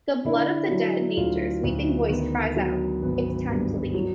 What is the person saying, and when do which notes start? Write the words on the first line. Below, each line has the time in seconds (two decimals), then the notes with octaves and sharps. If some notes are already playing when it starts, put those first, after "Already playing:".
The blood of the dead, nature's weeping voice cries out: it's time to leave.
0.25 D3 E4
0.71 F#3
1.17 D2 F4
1.64 D2
2.09 D#3 B3
2.56 F#3
3.02 G#1 B3
3.48 G2 B3
3.94 F#3